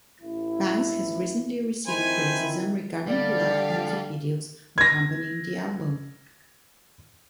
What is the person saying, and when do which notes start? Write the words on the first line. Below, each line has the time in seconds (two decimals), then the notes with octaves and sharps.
Banks has recently received criticism regarding the lack of music videos accompanying the album.
0.22 A1 E4
1.87 F2 D#3 E4 C5 G#5 B5
3.07 D3 G3 D5 F5
4.78 G#6 A#6